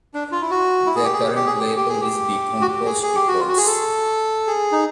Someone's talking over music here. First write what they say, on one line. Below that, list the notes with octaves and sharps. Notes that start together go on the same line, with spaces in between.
Their current label is Decomposed Records.
D4
F4
E4
F#4
E4
G#4
G4
G#4
G4
G4
G#4
G4
G4
G#4
G4
F#4
G4
G#4
G#4
G4
F#4
F4
F#4
G#4
A4
G#4
D#4